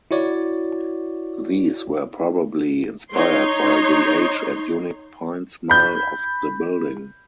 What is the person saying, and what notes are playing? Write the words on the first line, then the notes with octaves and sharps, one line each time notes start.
These were probably inspired by the age and unique pine smell of the building.
E4 F#4 C#5 D5
D#4 C#5 C6
B5 G6